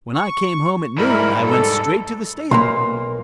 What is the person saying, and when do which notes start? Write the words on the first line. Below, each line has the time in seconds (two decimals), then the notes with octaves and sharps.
When I came home at noon I went straight to the stable.
0.15 C#6
0.98 G#2 G3 E4 A#4 B5
1.45 A4
2.51 B1 A#2 A#3 C6